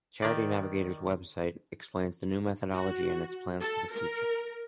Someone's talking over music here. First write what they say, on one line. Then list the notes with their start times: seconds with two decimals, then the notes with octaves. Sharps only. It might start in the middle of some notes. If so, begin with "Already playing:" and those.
Charity Navigator's website explains the new methodology and its plans for the future.
0.22 D#3 D5
2.72 F#4
3.60 A4
3.94 A#4